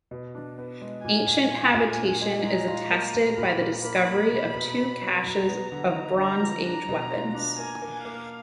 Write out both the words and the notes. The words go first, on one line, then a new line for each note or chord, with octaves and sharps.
Ancient habitation is attested by the discovery of two caches of Bronze Age weapons.
B2
D4
B3
G#3
A#2 G#5
A#2
F4
A#2
D4
G#3
G#3 A#5
F4
A#3
A#2
A#2 B5
A#3
A#3 B5
A#3
B2
B2
B3
F#3
F#3 A#5
B3
D3
D#4
D3 A#5
F3
D4 A#5
B2
F4
D4
A#3 G#5
A#3
A#3 F5